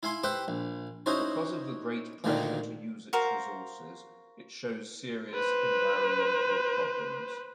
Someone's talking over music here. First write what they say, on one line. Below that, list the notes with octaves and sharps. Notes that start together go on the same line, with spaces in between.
Because of the great pressure to use its resources it shows serious environmental problems.
E4 F5 G#5 C6
G4 B4 C5 E5 F#5 G5
A#1
C#4 D#4 E4 F#4 C5
D2 A#2 D3 D#3 A#3
F#4 A#4 C5 F5
B4 C5